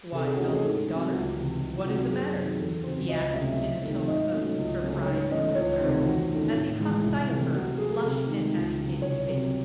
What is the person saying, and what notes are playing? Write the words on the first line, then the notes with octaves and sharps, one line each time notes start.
"Why, Elsie, daughter, what is the matter?" he asked in a tone of surprise and concern, as he caught sight of her flushed and agitated face.
C3 A4
G#4
E3 A3 C#4 F#4
G#4
G#2 A4
F#3 C4
C#2 F#4
C3 E3
C2
C3 F#3 C4 F#4
F#2 G#4
D#3 F#3 C4
E2 A4
C#3 F#3 C4 C5
C#2 D#5
C3 F#3 A3 C#4 E5
C2
C3 D#3 A3
G#2 D#5
F#3 A3 C#4
C#2
C#3 F#3 A3 C#4
G#2 C#5
E3 A3 C#4 D#5
C#2 C#5
C3 D#3 A3 C4 C5
E2 F#4
D#3 A3 C#4
A2
E3 G#3
C2 E4
C3 E3 A3
C3 F#4
F#3 A3 G#4
C3 A4
D#3 G#3
C#2
C#3 F#3
C2 C#5
C3 F#3 C4